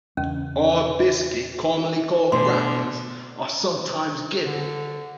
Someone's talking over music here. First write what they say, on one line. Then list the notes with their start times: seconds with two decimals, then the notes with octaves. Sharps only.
Hard biscuit, commonly called crackers, are sometimes given.
0.17 E2 C#3 C#4
2.32 B2 D3 E3 A3 C5 C6
4.45 D3